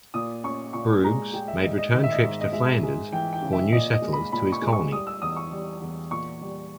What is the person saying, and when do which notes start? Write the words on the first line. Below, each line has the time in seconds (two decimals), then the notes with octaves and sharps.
Bruges made return trips to Flanders for new settlers to his colony.
0.14 A#2 D#6
0.44 C#4 C#6
0.73 A#2 C#6
1.04 G#3 A#5
1.34 G#3 G5
1.48 E5
1.64 G#2 D#5
1.78 D#5
1.93 D#3 D#5
2.04 E5
2.12 D#5
2.24 G#2
2.41 D#5
2.52 G#3 E5
2.83 G#3
3.12 E3 G5
3.33 G5
3.42 C#3
3.53 E5
3.72 A#2 D#5
3.93 D#5
4.02 G#3
4.13 B5
4.32 A#2 B5
4.52 C#6
4.62 G#3
4.72 C#6
4.91 G3 D#6
5.07 E6
5.22 E2 D#6
5.36 C#6
5.52 G3
5.82 E2
6.11 A#2 C#6
6.41 G3